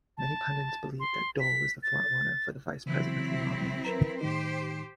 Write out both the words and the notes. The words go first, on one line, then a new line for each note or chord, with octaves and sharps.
Many pundits believed that Dole was the frontrunner for the Vice Presidential nomination.
A5
C6
B6
A6
C#3 E3 F#3 C4 E4
A#4 B4 A#5
A2 D#3 D#4 G4 C5